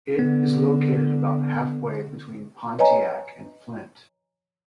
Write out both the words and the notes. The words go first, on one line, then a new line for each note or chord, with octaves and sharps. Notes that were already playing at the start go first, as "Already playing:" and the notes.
It is located about halfway between Pontiac and Flint.
D3 B3
B4 C#5 D#5 G#5 A#5